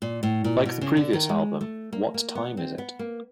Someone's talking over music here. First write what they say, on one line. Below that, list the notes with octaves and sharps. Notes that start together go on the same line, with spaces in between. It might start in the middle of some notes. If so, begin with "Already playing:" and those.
Like the previous album, What Time Is It?
A#2
A2
A#2
B2
C#3
D3
D#3
G#3
A3
A#3
A#3
B3
C4
B3
A#3